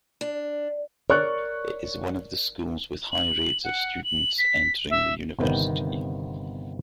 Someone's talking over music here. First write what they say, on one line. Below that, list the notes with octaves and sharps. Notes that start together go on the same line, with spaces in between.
It is one of the schools with high rates of students entering the university.
D4
A#4 C#5 D5 C#6 F#6
F#7
F#5
F#7
B6
E5
G1 C3 D#3 B3 G5